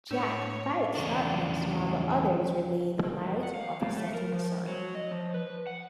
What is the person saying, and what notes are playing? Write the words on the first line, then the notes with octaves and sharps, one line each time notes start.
Jack fights Darkness while the others relay the light of the setting sun.
A2 D4 C#5
E2 C#3 D4
F#2
F#5
F5
A2
A3
A#4
F3
F#3
D#5
F3
B4
F#5